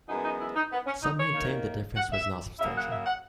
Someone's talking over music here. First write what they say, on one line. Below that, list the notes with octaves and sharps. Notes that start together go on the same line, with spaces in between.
Some maintain the difference was not substantial.
F#2 E3 G#3 B3 D#4
D#4
E4
D#4
B3
C#4
D#4
C#5
F#2 D#3 A#3
F#5
E5
C#3 F#3 A#3 E5
F#5
E5
F#5